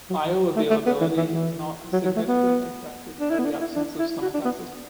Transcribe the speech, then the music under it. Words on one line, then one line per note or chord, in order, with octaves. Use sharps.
Bioavailability is not significantly affected by the absence of stomach acid.
F#3
E3
F#3
A3
A3
B3
E3
E3
E3
F#3
F#3
A3
B3
D4
E4
B3
D4
E4
D4
E4
F#4
D4
B3